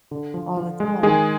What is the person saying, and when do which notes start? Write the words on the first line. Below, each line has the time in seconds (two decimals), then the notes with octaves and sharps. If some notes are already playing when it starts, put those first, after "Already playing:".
All the time.
0.11 D3
0.34 F3
0.57 F3
0.80 G#3
1.03 D#3 G#3 G#4